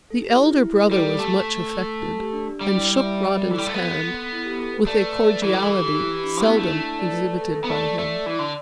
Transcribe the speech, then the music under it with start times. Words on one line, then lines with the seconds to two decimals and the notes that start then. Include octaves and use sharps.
The elder brother was much affected, and shook Rawdon's hand with a cordiality seldom exhibited by him.
0.10 A4
0.22 G4
0.35 E4
0.49 E4
0.63 E4
0.77 B4
0.86 A4
0.91 G3 G4
1.04 A4
1.20 A3
2.05 A4
2.19 G4
2.33 D4
2.47 D4
2.61 G3
2.75 E4
2.89 D5
3.03 E5
3.17 D5
3.46 E3 A4
3.58 G3
3.66 A3
3.73 B3 A4
4.32 E4
4.46 G4
4.60 A4
4.74 B4
4.87 A3 D5
5.01 B4
5.16 D5
5.30 B4
5.43 E3 A4
5.53 G3
5.61 E3 A4
5.72 G4
5.93 G4
6.01 E4
6.15 G4
6.24 D4
6.28 E4
6.36 D4
6.42 B3 E4
6.56 A3 D4
6.71 D4
6.86 E4
6.99 D5
7.13 B4
7.27 B4
7.41 A4
7.56 A4
7.64 B3
7.70 A3 D5
7.84 D5
7.98 A3 E5
8.12 D5
8.26 E3
8.39 D3